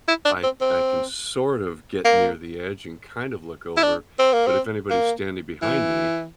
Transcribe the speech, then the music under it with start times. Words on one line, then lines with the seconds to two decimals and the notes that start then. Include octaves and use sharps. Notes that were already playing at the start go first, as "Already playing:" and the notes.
I I can sort of get near the edge and kind of look over. But if anybody's standing behind me
0.08 E4
0.25 D4
0.43 C4
0.61 C4
2.05 A#3
3.77 E4
3.83 D4
4.19 C4
4.33 A#3
4.47 C4
4.90 A#3
5.62 E3